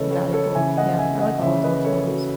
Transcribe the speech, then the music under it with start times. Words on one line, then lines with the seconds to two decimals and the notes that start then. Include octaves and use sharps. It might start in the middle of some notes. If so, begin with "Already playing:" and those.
valuable. Yeah, I like all of them, if I'm honest.
Already playing: C#3 E3 A4 B4 C#5 D#5
0.11 A4 C#5
0.33 A4 C#5
0.55 C#3 E3 E5 G#5
0.77 D#5 F#5
0.98 E5 G#5
1.20 D#5 F#5
1.42 C#3 E3 C#5 E5
1.64 B4 D#5
1.85 A4 C#5
2.06 F#4 A4